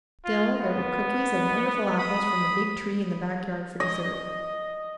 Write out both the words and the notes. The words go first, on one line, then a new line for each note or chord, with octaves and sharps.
Still, there were cookies and wonderful apples from the big tree in the back yard for dessert.
F4
B3
B5 D#6
D#5